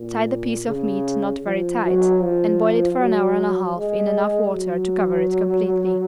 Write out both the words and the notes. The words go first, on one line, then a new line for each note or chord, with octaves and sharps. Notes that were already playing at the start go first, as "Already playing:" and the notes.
Tie the piece of meat not very tight and boil it for an hour and a half in enough water to cover it completely.
Already playing: A#2
C#3
F3
F#3
F3
F#3
G#3
F#3